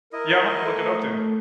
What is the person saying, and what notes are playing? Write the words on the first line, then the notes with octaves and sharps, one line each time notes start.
Yeah, I'll have to look it up then.
E4 A#4 D#5
A3